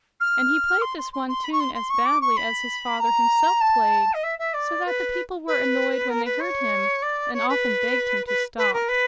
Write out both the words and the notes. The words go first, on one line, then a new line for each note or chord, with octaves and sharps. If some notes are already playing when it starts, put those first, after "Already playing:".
And he played this one tune as badly as his father himself played, so that the people were annoyed when they heard him, and often begged him to stop.
F6
C6
C6
C6
C6
B5
C#6
C6
C6
C#6
D6
C#6
B5
A#5
A5
D#5
E5
E5
D5
B4
B4
A#4
B4
C#5
D5
C#5
B4
B4
B4
A#4
B4